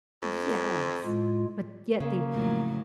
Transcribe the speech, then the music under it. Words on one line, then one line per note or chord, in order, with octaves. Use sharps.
Yes, but yet they
F2
A2 G#3 F4
C#3 A#3
F2 A2 F#3